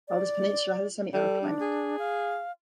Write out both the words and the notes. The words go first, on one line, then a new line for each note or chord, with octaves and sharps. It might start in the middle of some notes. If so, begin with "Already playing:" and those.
Valdes Peninsula has a semi-arid climate.
D5
G3 A4
D4
G#4
F5